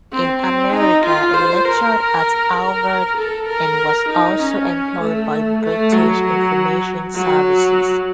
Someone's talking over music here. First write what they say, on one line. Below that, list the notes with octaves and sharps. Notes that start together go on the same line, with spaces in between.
In America he lectured at Harvard and was also employed by British Information Services.
C4
C4
D#4
F4
C5
A#4
A#4
A4
A#4
D#4
C#4
A3
A3
F#3
F#3